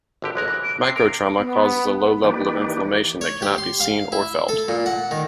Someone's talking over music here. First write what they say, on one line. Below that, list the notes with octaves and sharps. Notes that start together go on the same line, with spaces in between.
Most microtrauma cause a low level of inflammation that cannot be seen or felt.
G#1 D3 G4
A1 G#3 A#4 F#6
E3
D7
C3 C7
A#4 C#5 D7
B3
E3 A#3 D#4 G4 B4 D5
C#5
G4
C6
F5
E4
A4
A#2
F#5
D#3